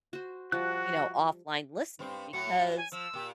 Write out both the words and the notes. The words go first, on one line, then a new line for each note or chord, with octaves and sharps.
you know, offline listening because
F#4 C5
F3 G3 F#4 F#6
G2 C4
A2 F#3 F#4 C#7
G#5
F3 E6
A#2 G4